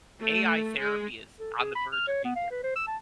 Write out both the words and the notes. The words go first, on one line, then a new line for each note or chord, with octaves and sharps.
AI therapy is on the verge of being here.
A3
G#3
A4
G#4
B5
F6
C#5
B3
F5
B4
C5
E6
A5